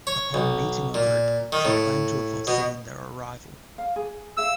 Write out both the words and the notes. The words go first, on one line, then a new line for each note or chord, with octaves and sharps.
Upon meeting the group, she claimed to have foreseen their arrival.
C#5
B1
A#2
D#3
A2
B2
F5
G#4
G#4 E5 F5 E6